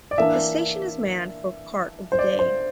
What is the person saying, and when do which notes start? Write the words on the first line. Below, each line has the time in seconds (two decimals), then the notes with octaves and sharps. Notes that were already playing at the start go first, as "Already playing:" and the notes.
The station is manned for part of the day.
0.11 D5
0.18 E3 A#3 D4 E5
2.12 C5
2.19 D5
2.39 C5